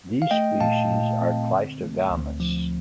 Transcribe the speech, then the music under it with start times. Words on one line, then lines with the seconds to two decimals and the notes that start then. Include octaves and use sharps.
These species are cleistogamous.
0.22 F5
0.31 A3 D#5 G5
0.60 A#2 F5 A5
0.91 A#2
1.21 C4
1.51 D3
1.80 A3
2.10 D2
2.40 F3